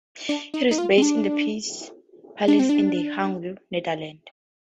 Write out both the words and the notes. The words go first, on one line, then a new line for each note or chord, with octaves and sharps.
It is based in the Peace Palace in The Hague, Netherlands.
D4
D#4
D#4
F4
C4
D4
D4
C4
D4